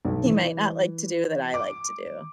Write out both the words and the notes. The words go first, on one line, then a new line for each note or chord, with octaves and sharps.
he might not like to do, that I like to do.
B1
E3
D6